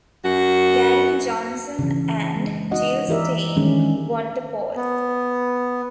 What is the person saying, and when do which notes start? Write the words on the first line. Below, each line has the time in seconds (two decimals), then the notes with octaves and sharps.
Gary Johnson and Jill Stein won the poll.
0.25 F#2 F#4
1.79 C#3 E3
2.36 G#3
2.71 D#4 F#4 D#5 F#5
3.08 E3 E4 G4 A#4 D5 E5
3.56 D#3 E3 G3 G#3 C#4 D4
4.76 B3